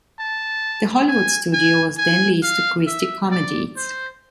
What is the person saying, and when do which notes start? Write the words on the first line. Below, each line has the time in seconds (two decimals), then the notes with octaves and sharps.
The Hollywood studio was then leased to Christie Comedies.
0.19 A5
1.08 G#5
1.53 G#5
1.98 G#5
2.43 F5
2.87 E5
3.31 D5
3.76 C5